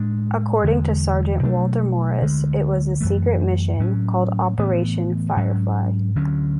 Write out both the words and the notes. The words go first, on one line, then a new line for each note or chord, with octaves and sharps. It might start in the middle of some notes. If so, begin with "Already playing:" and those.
According to Sergeant Walter Morris, It was a secret mission called Operation Firefly.
Already playing: A2 G#3 D4
E2 D3 G#3
B2 F#3 A3 D4
D2 D3 G#3
F#2 E3 A3
A2 F#3 C#4
A2 E3 B3
G#2 F#3 C#4
D2 D3 F#3 C#4